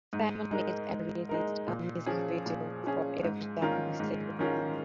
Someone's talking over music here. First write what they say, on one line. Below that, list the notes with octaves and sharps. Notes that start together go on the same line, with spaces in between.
Simon made and released a music video for Ev'ry Time We Say Goodbye.
G#2
G#3 D#4 A#4
G#2
G#3 D#4 A#4
A#2
F3 C#4 G#4
A#2
F3 C#4 G#4
G#2
D#3 C#4 F4 A#4
G#2
D#3 C#4 F4 A#4